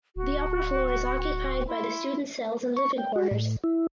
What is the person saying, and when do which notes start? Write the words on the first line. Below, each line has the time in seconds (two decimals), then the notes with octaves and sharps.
The upper floor is occupied by the student cells and living quarters.
0.16 D1 F#4
1.67 E4 C6
2.77 C#6
2.98 G5
3.16 F#4
3.31 A2
3.64 E4